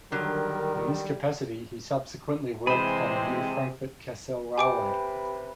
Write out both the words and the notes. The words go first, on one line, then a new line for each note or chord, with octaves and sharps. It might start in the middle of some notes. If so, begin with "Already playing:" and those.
In this capacity he subsequently worked on the new Frankfurt - Kassel railway.
D3 D#3 F#3 G3 A#4
C3 E3 G#3 C4 G#4 C5 B5
C3 G4 B4 G5 G#5 D6 D7